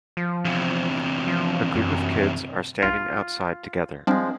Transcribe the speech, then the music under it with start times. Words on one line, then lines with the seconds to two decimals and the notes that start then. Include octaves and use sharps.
A group of kids are standing outside together.
0.17 F3
0.45 E2 C3
1.27 F3
1.75 F#2
2.83 B1 F4
4.07 F3 G3 G#3 C4 D4